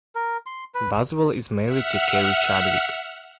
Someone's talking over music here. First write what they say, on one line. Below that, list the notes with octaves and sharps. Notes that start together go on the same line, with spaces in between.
Boswell is married to Keri Chadwick.
A#4
C6
B4
E5 F#5 F6